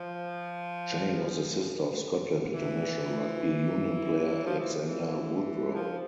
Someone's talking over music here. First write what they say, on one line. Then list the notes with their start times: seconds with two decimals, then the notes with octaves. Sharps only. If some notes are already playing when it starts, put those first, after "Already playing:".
Jane was the sister of Scotland international rugby union player Alexander Woodrow.
Already playing: F3
2.54 E3
4.46 F3
4.59 E3
4.85 E3
5.74 F3